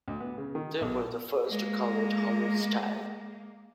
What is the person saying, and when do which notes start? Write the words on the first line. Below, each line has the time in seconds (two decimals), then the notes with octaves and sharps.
They were the first to call it "Hollywood Style".
0.08 D2
0.20 B3
0.38 C#3
0.55 D#3
0.81 B1
1.48 G#3 A#3